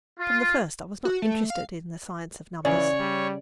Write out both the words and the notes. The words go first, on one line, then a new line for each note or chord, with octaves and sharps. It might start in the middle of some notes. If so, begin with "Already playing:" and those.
From the first I was not interested in the science of numbers.
F4
F#4
A3
F5
C#3 E3 C#5 D5
G3